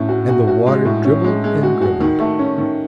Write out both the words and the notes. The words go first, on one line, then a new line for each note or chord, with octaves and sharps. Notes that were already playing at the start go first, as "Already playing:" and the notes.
And the water dribbled and dribbled.
Already playing: A2 C#4
F#4
F#4
F#4
G#3
A2
C#4
G#3
G#3
F#4
F#4
D#3
A3
C#4
D#3